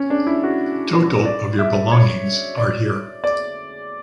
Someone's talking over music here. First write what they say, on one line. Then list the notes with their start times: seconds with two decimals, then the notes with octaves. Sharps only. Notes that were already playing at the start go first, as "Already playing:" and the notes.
Total of your belongings are here.
Already playing: C#4
0.10 D4
0.27 E4
0.43 F#4
1.25 D5
1.59 E5
1.91 C#5
2.57 D5
3.24 D5